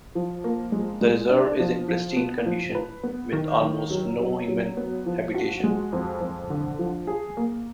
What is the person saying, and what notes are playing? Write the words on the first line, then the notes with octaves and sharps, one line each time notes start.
The reserve is in pristine condition with almost no human habitation.
F3
A#3
G#3
G#3
D4
F3
F3
B3
F3
B4
B3
D#3
D#3
F#3
F#3
F#3
B3
F3
F#4
G#3
F2
F2
D3
F3
G#4
A#3